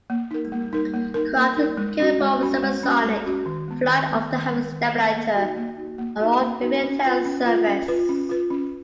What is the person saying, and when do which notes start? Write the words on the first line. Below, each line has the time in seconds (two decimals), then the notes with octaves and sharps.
Craft capable of supersonic flight often have a stabilator, an all-moving tail surface.
0.10 A#3
0.31 D#4 A#4
0.52 A#3
0.73 D#4 A#4
0.94 A#3
1.14 D#4 A#4
1.36 A#3
1.56 D#4 A#4
1.77 G#3
1.99 C#4 F#4
2.21 G#3
2.41 C#4 F#4
2.62 G#3
2.83 C#4 F#4
3.04 G#3
3.26 C#4 F#4
3.46 D#3
3.68 G#3 B3
3.89 D#3
4.10 G#3 B3
4.31 D#3
4.51 G#3 B3
4.72 D#3
4.94 G#3 B3
5.15 A#3
5.35 F#4
5.40 D#4
5.57 A#3
5.77 D#4 F#4
5.98 A#3
6.20 D#4 F#4
6.41 A#3
6.62 D#4 F#4
6.83 C#4
7.04 F4 B4
7.25 C#4
7.46 F4 B4
7.67 C#4
7.88 F4 B4
8.09 C#4
8.29 F4 B4
8.50 C#4